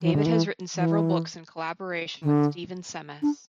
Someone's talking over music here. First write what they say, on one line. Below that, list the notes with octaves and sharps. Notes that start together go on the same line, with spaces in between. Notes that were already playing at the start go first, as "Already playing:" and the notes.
David has written several books in collaboration with Stephen Semmes.
E3
D3
E3
E3
D3
D4